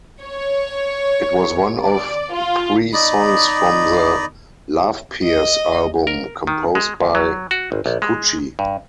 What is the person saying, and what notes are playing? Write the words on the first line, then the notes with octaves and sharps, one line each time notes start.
It was one of three songs from the "Loveppears" album composed by Kikuchi.
C#5
D5
F4
D#4 D5 D#5 B5
D#5
A#4
D#3
G#3
D2
F#3
F#4
G#1
A#1
G#3
G2